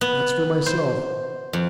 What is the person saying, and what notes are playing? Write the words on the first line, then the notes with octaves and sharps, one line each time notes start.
That's for myself.
B3
C5
F2